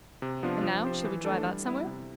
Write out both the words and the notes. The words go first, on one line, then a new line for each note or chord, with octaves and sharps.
And now, shall we drive out somewhere?
C3
F3 B3 D4 F4
F3
C4 G4 C5
E3
A3 D4 A4
G3
B3 E4
C3